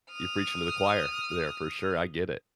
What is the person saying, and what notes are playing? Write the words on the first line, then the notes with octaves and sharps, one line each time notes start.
you're preaching to the choir there for sure, I get it.
D#6 F6